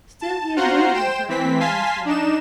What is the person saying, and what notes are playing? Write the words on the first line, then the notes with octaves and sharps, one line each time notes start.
Still he endured her for a few moments longer.
A5
F4 F#4 C5 F#5 A#5 C6
C5 G5 E7
E3 C4 B6
F5 G#5 A5 C6 B6
D4 D#4 E7